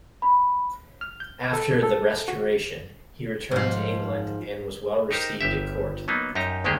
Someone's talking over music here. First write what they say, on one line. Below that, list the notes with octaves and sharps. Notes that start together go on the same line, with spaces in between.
After the Restoration he returned to England, and was well received at court.
B5
F6
G6
A4
A4
F#4
G#2 F3
D#4 G4 A#4 C5
G1 G4 E5
F#3 A#3 B3 D#4
F#2 D#4 G4 A#5
D2 D#3 G#3 A#3 G4 G#4